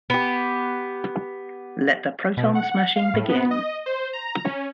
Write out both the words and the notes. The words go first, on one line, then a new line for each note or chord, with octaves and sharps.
Let the Proton Smashing Begin.
B3 G4
B2
F#5
F5
A2
B3
D#5
C5
A#5
C#4